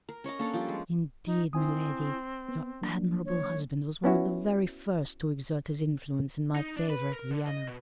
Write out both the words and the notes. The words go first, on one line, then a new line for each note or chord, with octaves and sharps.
'Indeed, miladi, your admirable husband was one of the very first to exert his influence in my favour at Vienna.
A#4
C#4 C#5 D#5 A#5
A#3 C#4 D4 A4
F3 G3
G#3
D#4
C4 E4 G#5 D#6
B3
F#3 A#3 D4
C#5
B3 C#4 E4 F#4
D#4
D4
B4
A#4
D3
D#5
B2